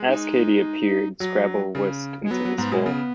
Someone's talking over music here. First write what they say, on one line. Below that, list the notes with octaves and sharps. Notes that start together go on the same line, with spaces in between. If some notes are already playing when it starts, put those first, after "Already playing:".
As Katie appeared, Scrabble whisked into his hole.
Already playing: G#3
D#4
F#3
C#3
G#3
F#3 B3
F#3
G#2 B3
B2 G#3
C#3 B3